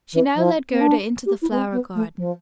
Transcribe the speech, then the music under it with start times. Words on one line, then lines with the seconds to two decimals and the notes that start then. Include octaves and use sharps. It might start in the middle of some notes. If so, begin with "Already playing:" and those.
She now led Gerda into the flower-garden.
0.13 E3
0.35 F3
0.70 C4
0.80 D4
1.26 G4
1.42 E4
1.50 B3
1.56 C4
1.72 B3
1.95 A3
2.17 F3